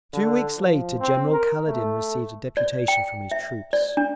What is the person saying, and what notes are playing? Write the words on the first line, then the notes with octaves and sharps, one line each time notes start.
Two weeks later General Kaledin received a deputation from his troops.
D3
F3
C4
A#4
A3
D5
G5
E5
D5
D4